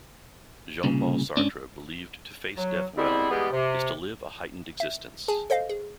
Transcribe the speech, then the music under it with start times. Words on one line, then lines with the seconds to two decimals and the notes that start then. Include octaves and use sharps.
Jean-Paul Sartre believed to face death well is to live a heightened existence.
0.84 C2 A#2 C#3
1.37 G#2 C#4 D4
2.57 F#3
2.98 G3 G#3 B3 C4 E4
3.31 E3 G3 G#3 B3 G4 G#4
3.53 C3
4.80 E5
5.28 G#4 G#5 A5
5.50 A4 C5 D#5 F5
5.69 G#4